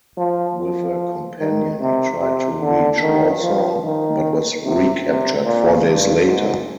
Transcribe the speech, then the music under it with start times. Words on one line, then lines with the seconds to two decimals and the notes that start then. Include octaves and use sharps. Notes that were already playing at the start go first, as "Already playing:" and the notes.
With a companion he tried to reach Warsaw, but was recaptured four days later.
0.18 F3
0.59 F3
1.39 D#3
1.80 C3
2.20 C3
2.61 D3
3.02 D#3
3.42 F3
3.82 D#3
4.63 C3
5.04 C3
5.44 A#2
5.84 G2
6.25 G#2